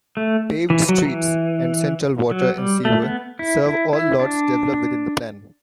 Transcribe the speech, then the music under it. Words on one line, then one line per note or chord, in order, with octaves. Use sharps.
Paved streets and central water and sewer serve all lots developed within the plan.
A3
E3
F#3
E3
F#3
G3
A3
B3
E4
E4
E4
D4